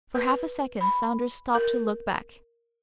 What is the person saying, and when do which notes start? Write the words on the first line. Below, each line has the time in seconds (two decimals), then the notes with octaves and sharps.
For half a second Saunders stopped to look back.
0.15 B4
0.81 B5
1.55 A#4